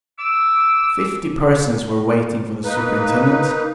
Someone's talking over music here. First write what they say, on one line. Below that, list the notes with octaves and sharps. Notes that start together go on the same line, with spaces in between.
Fifty persons were waiting for the superintendent.
D6 E6
A#3 D#4 B4